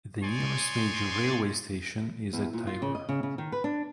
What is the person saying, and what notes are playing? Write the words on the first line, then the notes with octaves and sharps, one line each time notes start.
The nearest major railway station is at Tirur.
D#4 C#5 D5 G#5 C6
E2
A#2
F4
C#3
D#5
C#3
C#3
D#3
B4
D4